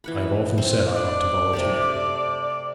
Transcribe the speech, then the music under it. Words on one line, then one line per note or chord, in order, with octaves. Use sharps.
I have often said I ought to volunteer.'
E3 F#5 B5
C4
D4 D5
C3 A3 G4